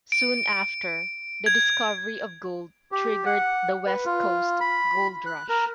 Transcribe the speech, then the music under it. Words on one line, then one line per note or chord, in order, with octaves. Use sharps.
Soon after, the discovery of gold triggered the West Coast Gold Rush.
D7
G#6
G4
F#5
B4
F4
B5
F#6
A#4